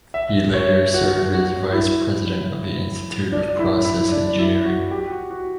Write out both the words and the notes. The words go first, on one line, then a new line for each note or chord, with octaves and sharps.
He later served as Vice President of the Institute of Process Engineering.
E5
C#5
F#4
F#4
E4
D4
E4
E4
D4
E4
F#4
G4
F#4
F#4